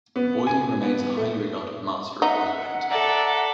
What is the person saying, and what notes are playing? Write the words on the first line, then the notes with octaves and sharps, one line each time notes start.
Boilly remains a highly regarded master of oil painting.
B3
G#5
B3
A3
D#4 E5 F#5
A4 D5 E5 A#5